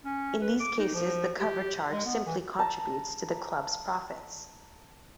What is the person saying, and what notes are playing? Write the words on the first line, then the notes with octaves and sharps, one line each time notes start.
In these cases, the cover charge simply contributes to the club's profits.
C#4
B4
D6
D#4
F3
G4
G#3
B3
E3
A5 A#5